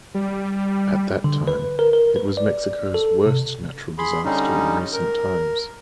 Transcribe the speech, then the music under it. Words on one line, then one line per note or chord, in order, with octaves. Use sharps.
At that time, it was Mexico's worst natural disaster in recent times.
G3
D3
B4
A#4
A#4
B4
D5
A4
C3
G#4 B5 C6
D3 G3 C#4 D#4
A#4